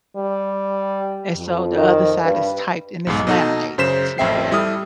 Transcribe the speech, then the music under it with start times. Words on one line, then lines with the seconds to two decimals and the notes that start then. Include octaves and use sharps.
and so the other side is typed and it's laminated to where,
0.17 G3
1.36 F2
1.76 D#3
2.24 G2 B4
3.07 B1 E2 G#2
3.27 B2 D#4 A4
3.78 F#2 C#3 C5 B6 E7
4.18 A1 F2 C4 E5 G5 C7
4.52 G3 E4 A4 D#6 F6